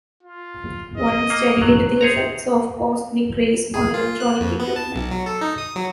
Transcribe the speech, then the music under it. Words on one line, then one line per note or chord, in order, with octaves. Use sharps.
One studied the effects of cosmic rays on electronic equipment.
F4
D#5
A#3
F#3
G#4 C5 C#5 A#5
G#4
F4
F#6
F2
B3
A5
B1
F#3
A4
D#4
D#6
F#3